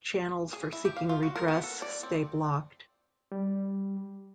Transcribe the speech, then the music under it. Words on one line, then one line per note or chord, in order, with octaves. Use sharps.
Channels for seeking redress stay blocked.
G#4
E4
G4
F5
F4
F#4
A#4
B3
A4
D5
C4
G3